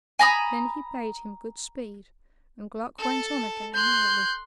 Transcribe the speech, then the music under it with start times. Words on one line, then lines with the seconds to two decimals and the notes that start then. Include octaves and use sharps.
Then he bade him good speed, and Gluck went on again merrily.
0.19 G#5 A#5 B5 D#6
2.99 A4 A5
3.74 C6 F#6 G6